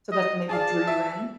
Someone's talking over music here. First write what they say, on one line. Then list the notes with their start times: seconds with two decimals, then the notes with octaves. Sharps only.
so that's maybe drew you in?
0.12 D#5
0.49 G#4 D5 F5 A5
0.87 E5